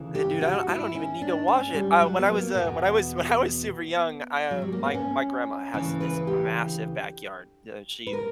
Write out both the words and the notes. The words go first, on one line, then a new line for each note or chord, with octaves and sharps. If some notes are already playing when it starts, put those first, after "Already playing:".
Uh, dude, I do I don't even need to wash it. Uh, when I was, uh, when I was when I was super young, um my my grandma has this massive backyard, uh, she
Already playing: D2 C#3 E3
G4
F#4
E4
C#4
D4
C#4
G3
F#3
B3
A#3
E2 B2 B3
F#3
G3
A#3
B3
C#4
D2 C#3 E3 C#4
B4
G4
B4
A#4